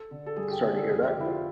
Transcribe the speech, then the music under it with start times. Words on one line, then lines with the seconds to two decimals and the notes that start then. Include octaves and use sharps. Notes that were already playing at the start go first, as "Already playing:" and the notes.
Sorry to hear that.
Already playing: A4
0.11 D3
0.26 A4
0.36 G2 G#4
0.51 G4
0.63 D3 G#4
0.77 A4
0.90 F2 G#4
1.07 G4
1.17 D3 E4
1.26 F4